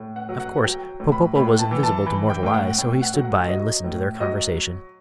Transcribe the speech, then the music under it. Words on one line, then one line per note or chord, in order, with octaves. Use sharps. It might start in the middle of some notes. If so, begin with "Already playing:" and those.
Of course Popopo was invisible to mortal eyes, so he stood by and listened to their conversation.
Already playing: A2
F#5
F#3
F#5
F#3 G5
A2
B5
A2 B5
A5
E3
A5
E3 B5
G5
A2 G5
F#5
A2 G5
F#5
F#3
F#5
F#3 D#5
A2
F#3 D#5